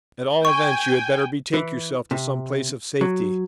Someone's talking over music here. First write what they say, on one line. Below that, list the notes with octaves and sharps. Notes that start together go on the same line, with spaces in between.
At all events, you had better betake yourself to some place of safety.
G5 G#5 C#6
E3
C3
F#3